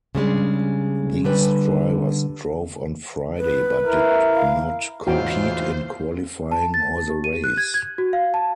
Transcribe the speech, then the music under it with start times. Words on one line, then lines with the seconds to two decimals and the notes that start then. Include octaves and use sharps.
These drivers drove on Friday but did not compete in qualifying or the race.
0.15 C#3 G3 G#3 D4
1.25 D3 G3 B4
3.37 B4
3.85 E4 A#4
4.35 F5
5.07 A1 E2 G#2 F4 F#4 C5 G5
6.51 A5
6.74 A6
7.10 G4
7.24 D#7
7.44 F#6
7.57 G#6
7.74 G#6
7.98 F#4
8.13 F5
8.34 A5